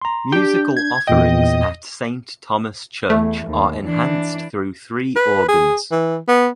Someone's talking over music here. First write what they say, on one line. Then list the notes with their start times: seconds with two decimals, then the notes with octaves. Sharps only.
Musical offerings at Saint Thomas Church are enhanced through three organs.
0.02 A#5 C6
0.32 D4 G4 G6
0.77 G#6
1.07 E2 A#2 D#5 G5
3.10 E2 A3
3.48 D#2
3.84 E3 D4
5.16 B4
5.48 G#4
5.91 E3
6.28 B3